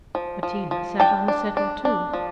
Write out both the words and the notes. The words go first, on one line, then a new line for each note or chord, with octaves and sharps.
Bettina sat on the settle, too.
F3
F3
F3
D4 G5 A5
D4
D4
D4
F3